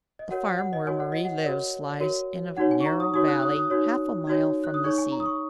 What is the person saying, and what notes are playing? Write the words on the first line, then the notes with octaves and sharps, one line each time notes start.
The farm where Mari lives lies in a narrow valley half a mile from the sea.
D#5
F#4 A#4 C#5 F#5
G#5
F#5
D#5
F#4 A#4 C#5 G#5
F#5
D#5
F#5
F#4 A#4 C#5
F#4 A#4 C#5
D#4 F#4 C#5 F#5
G#5
C#6
A#5
D#6
D#4 F#4 C#5 D#6
F#6
D#6
D#6
D#4 F#4 C#5
D#4 F#4 C#5
F#6
D#6
D#4 G#4 C#5 C#6
G#5
A#5
D#6
C#6